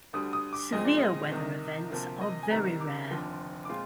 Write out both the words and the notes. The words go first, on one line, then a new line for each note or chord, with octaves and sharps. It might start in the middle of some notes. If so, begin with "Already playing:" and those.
Severe weather events are very rare.
D2 D3 G3 D#6
D#6
D6
A#1 A#2 G#3 C4 D#5
D5
D#5
C2 C3 D#3
D2 C3 F3 A#3
D#5
G#5
C2 C3 D#3 G3 A#5
D6
F1 D#2 D3 F3 C4
D6
A#2 G#3 C4 F4 C6